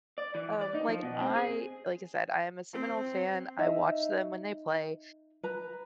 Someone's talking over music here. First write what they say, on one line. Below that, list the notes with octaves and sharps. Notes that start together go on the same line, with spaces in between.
um, like, I like I said, I am a Seminole fan, I watch them when they play.
D5
E3
D5
D#4
F3
B2
C4
G#4
C4
D#4 E5
B4 A#5